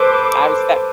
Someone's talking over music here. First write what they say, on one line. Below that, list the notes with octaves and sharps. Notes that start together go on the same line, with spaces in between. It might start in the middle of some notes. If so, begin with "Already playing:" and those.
I was set f
Already playing: A4 B4 C5 D6